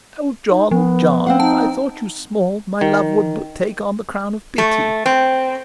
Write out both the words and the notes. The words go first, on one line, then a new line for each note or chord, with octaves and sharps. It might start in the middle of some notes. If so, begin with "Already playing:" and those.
Oh John, John, if I thought you small, my love would but take on the crown of pity.
D#4
F3 B3
C4 F5 F#5
D#4 A5
D#3
A3
C4